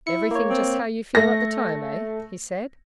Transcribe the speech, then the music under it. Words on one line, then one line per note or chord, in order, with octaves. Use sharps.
'Everything just how you feel at the time, eh?' he said.
E4 C#7
A#3 C#5
C4
A3 A#6